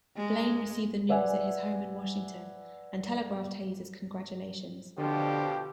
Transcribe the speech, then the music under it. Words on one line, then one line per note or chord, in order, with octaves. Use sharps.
Blaine received the news at his home in Washington and telegraphed Hayes his congratulations.
G#3
B4 D5 E5 F#5 G#5
F2 B2 D3 F3 G4